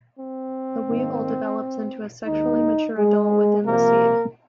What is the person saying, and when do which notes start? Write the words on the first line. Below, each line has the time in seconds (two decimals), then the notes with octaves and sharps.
The weevil develops into a sexually mature adult within the seed.
0.19 C4
0.89 G#2 D#3 A#3
2.26 D#2 D#3 G#3 D#4
2.96 G#3 G#4
3.65 C2 C3 F3 A#3 A#4